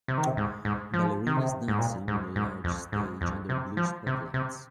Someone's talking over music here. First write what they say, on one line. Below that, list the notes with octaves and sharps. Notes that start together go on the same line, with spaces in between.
Ballerinas dancing on a large stage under blue spotlights.
C3
D#3
C3
G#2
G#2
F3
D#3
C3
G#2
A#2
G#2
G#2
F2
G#2
F2
C3
F3
C3
C3